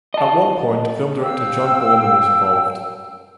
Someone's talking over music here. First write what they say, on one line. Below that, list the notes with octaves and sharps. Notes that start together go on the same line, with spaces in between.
At one point, film director John Boorman was involved.
D#5 A5
F5 G5 E6